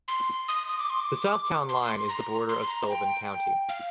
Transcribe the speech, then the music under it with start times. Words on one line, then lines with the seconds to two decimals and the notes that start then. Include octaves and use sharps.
The south town line is the border of Sullivan County.
0.08 C6
0.48 D#6
0.69 D#6
0.78 D6
0.90 C6
1.00 D6
1.69 C6
1.83 C6
1.96 C6
2.09 A#5
2.49 C6
2.62 C6
2.69 A#5
2.89 G5
3.69 F5